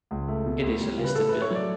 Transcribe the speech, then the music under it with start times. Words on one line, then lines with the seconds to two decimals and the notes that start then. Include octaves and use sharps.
It is a listed building.
0.11 C#2
0.28 A3
0.46 B2
0.63 D2
0.81 G3
0.98 C#3
1.04 B4
1.15 A2 A4
1.29 A3 B4
1.42 C#5
1.51 F#3 D5